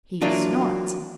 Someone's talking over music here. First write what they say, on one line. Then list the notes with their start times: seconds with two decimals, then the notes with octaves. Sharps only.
He snorts.
0.21 E3 F#3 A#3 D4 F4